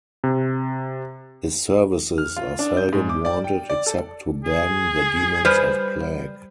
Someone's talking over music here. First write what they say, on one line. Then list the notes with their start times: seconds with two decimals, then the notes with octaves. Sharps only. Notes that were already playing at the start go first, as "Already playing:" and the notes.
His services are seldom wanted except to ban the demons of plague.
0.24 C3
2.18 F6
2.37 F4
2.59 D4
2.77 G6
2.93 G#2
3.09 D6
3.25 D5
3.44 G5
3.70 D5
3.86 A4
4.44 G#4
5.45 G3 B4 C5